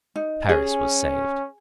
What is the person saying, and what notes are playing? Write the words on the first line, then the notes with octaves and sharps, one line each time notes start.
Paris was saved.
D#4
C#4 G#4